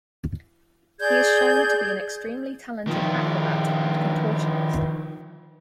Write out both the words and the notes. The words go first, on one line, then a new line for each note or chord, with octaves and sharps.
He is shown to be an extremely talented acrobat and contortionist.
G#4 D5 G6 G#6
D#3 F3